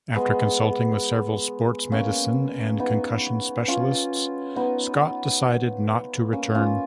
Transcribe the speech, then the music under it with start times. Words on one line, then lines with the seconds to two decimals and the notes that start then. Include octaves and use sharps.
After consulting with several sports medicine and concussion specialists Scott decided not to return.
0.15 G#3 B3
1.92 A#3 C#4
2.80 B3 D#4
3.68 C#4 F4
4.56 B3 D#4
6.33 A#3 C#4
6.55 C#4 F4